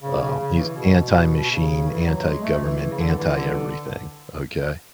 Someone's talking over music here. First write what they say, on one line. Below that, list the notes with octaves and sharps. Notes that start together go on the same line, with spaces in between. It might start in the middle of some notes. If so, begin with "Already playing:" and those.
um, he's anti-machine, anti-government, anti-everything, okay?
C#3
C#3
C#3
E3
B2
B2
C#3
E3
F#3
G#3
A3
E3
C#3
D3
E3
D3